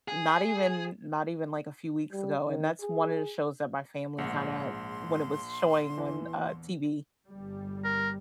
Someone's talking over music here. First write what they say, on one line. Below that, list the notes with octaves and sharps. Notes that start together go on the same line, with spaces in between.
not even not even like a few weeks ago, and that's one of the shows that my family kinda when it was showing on, uh, TV
G#4
G3
D#3
G#4
A#1 G#2 G#4 F#5 C6
E2 E3
G1 G3
A#4